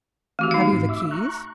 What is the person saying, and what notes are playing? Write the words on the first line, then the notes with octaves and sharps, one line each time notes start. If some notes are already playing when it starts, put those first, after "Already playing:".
"Have you the keys?"
D#3 E3 A3 C4 F#4 G4
D#4 F5
G#2
E5 D6 E6
A#5 C#6 F#6